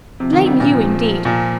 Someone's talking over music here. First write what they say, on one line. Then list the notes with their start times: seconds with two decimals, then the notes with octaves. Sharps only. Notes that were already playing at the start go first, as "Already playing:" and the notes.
Blame you, indeed!
0.20 C3 F3
0.33 D#3
0.46 C3 G3
0.60 A#2
0.67 D#3
0.72 F3
1.25 A#2 F3